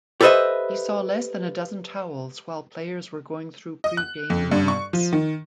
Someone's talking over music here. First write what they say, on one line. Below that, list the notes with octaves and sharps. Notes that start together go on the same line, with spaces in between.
He saw less than a dozen towels while players were going through pre-game warm-ups.
G4 A4 B4 C5 D#5 E5
D#5
F#6
F2
G2
C#6
F3
D#3